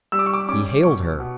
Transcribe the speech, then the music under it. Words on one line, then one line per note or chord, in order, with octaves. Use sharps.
He hailed her.
G3 E6
D6
C#6
D6
C#4 D6
B2 C#6
B2